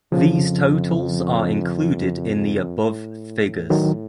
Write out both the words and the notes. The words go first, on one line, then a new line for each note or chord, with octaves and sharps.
These totals are included in the above figures.
F2 C#3 F3
A2
D#3 F#3